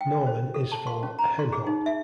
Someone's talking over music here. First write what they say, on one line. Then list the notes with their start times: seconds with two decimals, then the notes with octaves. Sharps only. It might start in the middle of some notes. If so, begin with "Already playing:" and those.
Norman is for "Hen Hop".
0.01 G5
0.27 C5
0.54 A4
0.72 A5
0.87 C6
1.03 C#4
1.19 A#5
1.39 C6
1.53 G#4
1.67 D#4
1.86 E5